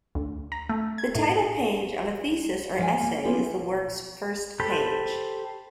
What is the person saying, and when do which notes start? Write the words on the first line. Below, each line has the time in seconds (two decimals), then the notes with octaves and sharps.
The title page of a thesis or essay is the work's first page.
0.15 D2
0.52 A#5
0.69 A3
0.98 G#6
1.15 A2
2.79 F3 A#4 C#5 F5 G#5
3.00 A#3
3.24 A#3 B3 C#4 E4 F4 G4
4.60 G4 A4 C5 B5